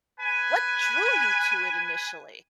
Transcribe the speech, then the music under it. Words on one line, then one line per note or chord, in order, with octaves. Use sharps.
what drew you to it initially?
B4 G#5